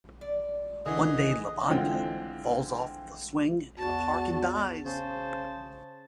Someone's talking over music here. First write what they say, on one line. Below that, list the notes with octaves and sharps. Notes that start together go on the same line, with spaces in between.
One day, Lavanya falls off the swing in a park and dies.
D5
D3 E3 G#4 D#5
D3 E3 G#3 C4 F4
E2 F#4 A5
C#3 C5 A5